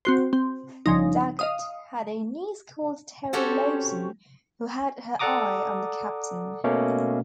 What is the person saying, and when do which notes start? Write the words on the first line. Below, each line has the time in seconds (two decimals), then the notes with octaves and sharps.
Daggart had a niece called Terrie Lawson, who had her eye on the Captain.
0.05 C4 F#4 C5
0.33 C4
0.86 G1 C#3 F3 D#4
1.39 D#5 F5 D#6
3.33 C4 C#4 F#4 G4 A4 C5
5.19 A4 D5 F#5 A#5 D6 D#6
6.64 B2 A3 A#3 C#4